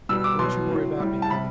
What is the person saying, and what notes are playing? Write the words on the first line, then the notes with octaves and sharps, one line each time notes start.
Don't you worry about me.
B2 G3 E6
D6
B2 F#3 C6
A2 F#3
A2 G3
A5
C3 G3 B5